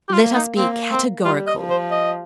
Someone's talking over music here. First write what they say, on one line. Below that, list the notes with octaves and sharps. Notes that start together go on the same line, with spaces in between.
Let us be categorical.
G4
F4
A#3
D#4
A#3 C4
C4
G3 F4
D#5
F3
C5
D#5